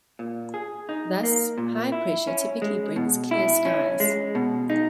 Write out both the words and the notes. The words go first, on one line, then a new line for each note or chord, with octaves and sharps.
Thus, high pressure typically brings clear skies.
A#2
G#4
D#4
A#3
A#2
E4
C#4
G#3
B2
E4
C#4
G#3
B2
D#4